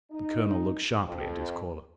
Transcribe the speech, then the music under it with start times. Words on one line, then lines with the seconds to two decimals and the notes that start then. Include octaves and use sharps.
The colonel looked sharply at his caller.
0.11 D#4
1.06 F2